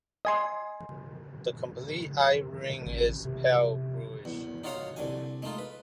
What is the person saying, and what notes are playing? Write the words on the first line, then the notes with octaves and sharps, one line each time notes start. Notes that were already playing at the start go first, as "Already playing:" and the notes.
The complete eye-ring is pale bluish.
D#5 G#5 C6
A1
C3
E2
D#4 F4 F#4 C#5 F5 A#5
C2 D3 G#5
G#3 A3 D#4 F4
B4